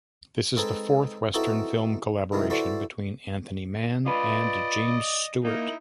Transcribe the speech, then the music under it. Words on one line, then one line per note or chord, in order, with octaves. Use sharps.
This is the fourth Western film collaboration between Anthony Mann and James Stewart.
G#3 C4 D#4 A4 B4 G#5
C4 D#4 E4 F#4 A4 B4
G#2 C3 D#3 E3 G#3
E4 F#4 A4 B4 C5 D5
F4 B4 D5 D#5
A#3 D#4 E4